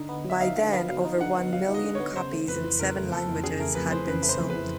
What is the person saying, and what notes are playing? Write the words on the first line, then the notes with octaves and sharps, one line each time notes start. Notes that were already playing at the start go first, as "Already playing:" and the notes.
By then over one million copies in seven languages had been sold.
Already playing: D3 D#4
B3
F#3 E5
D#4 F5
D3 F5
B3 F5
F#3 F5
D#4
D3 F#5
B3
F#3 F5
D#4
D#5
D3
B3 C#5
C#3 C5
A3
F2 B4
E3
C#3 A#4
A3
F2 A4
E3
C#3 G#4
A3 A#4
F2 B4
E3 C5
C#3 B4
A3 B4
C5
F2
B4
E3